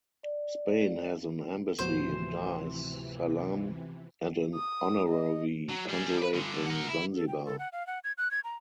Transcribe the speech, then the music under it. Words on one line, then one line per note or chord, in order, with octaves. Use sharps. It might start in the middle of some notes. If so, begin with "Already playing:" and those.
Spain has an embassy in Dar es Salaam and an honorary consulate in Zanzibar.
D5
D1 C3 E3 F3 B3 F#4 C5
D#6
D#5
F#3
G3 G#4
B4 D5
G2 D3
A#4 F#5
E4
A4
G5
A4
F#5
F5
F#5
G#6
F#6
G#6
A#5